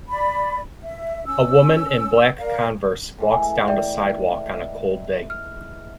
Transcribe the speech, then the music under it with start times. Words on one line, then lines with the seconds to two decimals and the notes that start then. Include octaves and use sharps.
A woman in black converse walks down the sidewalk on a cold day.
0.08 D5 B5
0.82 E5
1.26 C#4 E6
2.38 A#4 D5 F5
3.18 A2 E3 G#3
3.68 D5 E5 G5
5.30 F6